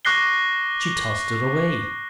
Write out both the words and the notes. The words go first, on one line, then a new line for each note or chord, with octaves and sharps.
She tossed it away.
C#6 D6 F#6 A#6 C7 G7